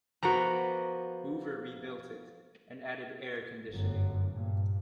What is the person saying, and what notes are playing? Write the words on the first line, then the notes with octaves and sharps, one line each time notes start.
Hoover rebuilt it, and added air-conditioning.
F3 A#3 B3 F#4 A#5
G1 F#2
G2 A#2